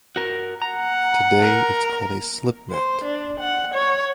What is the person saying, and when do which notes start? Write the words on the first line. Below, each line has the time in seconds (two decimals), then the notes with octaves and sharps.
Today it's called a slipmat.
0.16 F#4 A#4
0.62 F#5 A#5
1.40 A#4
2.71 C5
3.04 D4
3.40 F#5
3.74 C#5